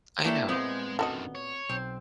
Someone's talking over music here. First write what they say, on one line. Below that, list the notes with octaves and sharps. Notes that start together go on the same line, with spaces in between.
I know.
A3 A#3 D4 E4 G4 A4 C#5
A#2 G#3 B3 C4
F#2 D#3 A3 F#4 D#5
C#5
B1 C4